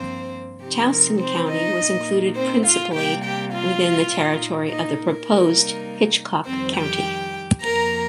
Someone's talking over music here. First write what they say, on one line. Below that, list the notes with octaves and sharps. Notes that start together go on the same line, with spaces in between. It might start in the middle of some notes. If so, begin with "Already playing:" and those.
Towson County was included principally within the territory of the proposed Hitchcock County.
Already playing: G2 F3 A#3 C4 C5
C3 F3 C4 D#4 G4
A#4
C4 C5
D#4 D#5
A#2 A#3 D#4
C4 C5
F4 F5
C3 G3 A#3 G4 G5
G4 G5
F4 F5
A#2 A#3 D#4
D#4 D#5
A#4
C3 G3 A#3 D#4
F2 D#3 G3 C4 C5
G4 G5
F2 F3 A#3 A#4 A#5